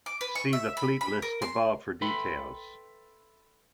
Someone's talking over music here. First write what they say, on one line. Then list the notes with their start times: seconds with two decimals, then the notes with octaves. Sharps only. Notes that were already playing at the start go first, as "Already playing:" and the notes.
See the Fleet List above for details.
0.06 D6
0.21 B4
0.35 C#6
0.53 E5
0.77 B5
1.01 B5
1.22 A#4
1.42 C6
2.02 A4 B4 E5 G5 B5 C6